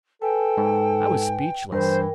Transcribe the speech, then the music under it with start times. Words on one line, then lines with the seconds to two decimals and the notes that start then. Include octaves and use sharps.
I was speechless.
0.22 A4 B4 G5 G#5
0.57 G#2
1.72 G2 E3 A#4 C5 G5